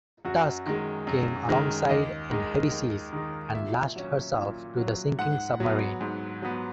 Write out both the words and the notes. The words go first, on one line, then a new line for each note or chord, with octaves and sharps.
"Tusk" came alongside in heavy seas and lashed herself to the sinking submarine.
F#2 F#4
D#3 G#3
F#2
D#3 G#3
D#2 D#5
D#3 G#3 D#4
D#2
D#3 G#3 D#4
A#2 E5
F#3 C#4
A#2
F#3 C#4
G#2 F#5
F#3 B3
G#2
F#3 B3